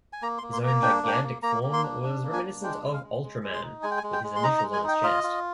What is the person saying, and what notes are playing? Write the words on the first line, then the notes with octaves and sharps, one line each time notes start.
His own gigantic form was reminiscent of Ultraman with his initials on his chest.
G#5
A#3 A#5
C6
A#3
C6
A#3 A#5
D4 G5
A#3 G5
G#5
A#3
A#3 A#5
A#3
C6
D4
D4
A#3
G#5
D4
G#3 G5
G#3
F5
G#3
G#3
G#3
C6
D#4
G#3 G#5
G5
G#5
G#3
G5
G#3
C6
D#4 A#5
A#5
G#3
G#5
D#4 G5
F4 D#5
F4